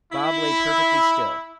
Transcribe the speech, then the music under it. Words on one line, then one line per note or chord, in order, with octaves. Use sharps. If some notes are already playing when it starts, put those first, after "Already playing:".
Bob lay perfectly still.
E4